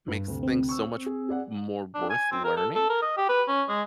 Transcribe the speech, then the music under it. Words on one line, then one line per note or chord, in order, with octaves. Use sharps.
makes things so much more worth learning,
G2
D2 C3
C4
C#6 E6
G#4
G#4 D5 F#5
D4
G#5
C4
A#4
A4
A4
A#4
D#5
G4
B4
C#4
G#3